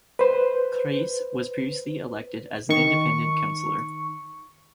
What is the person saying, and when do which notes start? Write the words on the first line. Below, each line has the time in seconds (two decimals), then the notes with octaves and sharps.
Creese was previously elected as an Independent councillor.
0.19 B4 C5
2.69 D#3 C#6